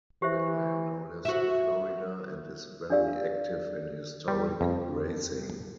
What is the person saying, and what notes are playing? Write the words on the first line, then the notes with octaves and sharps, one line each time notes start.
Redman now lives in Florida and is very active in historic racing.
E3 G4 C5 E5
F#4 E5
D4 G4 G#4 D5 F5 E6
G3
F2